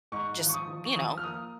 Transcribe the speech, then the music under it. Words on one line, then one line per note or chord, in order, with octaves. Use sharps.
just, you know,
G#2 C#6
F3
C#6
D#6
F3
C#6
F3 D#6
F6
A#3 D#6